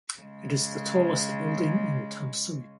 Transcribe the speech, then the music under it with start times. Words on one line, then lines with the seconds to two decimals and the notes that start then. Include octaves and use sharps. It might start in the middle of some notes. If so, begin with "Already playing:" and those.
It is the tallest building in Tamsui.
0.20 C#3 G#3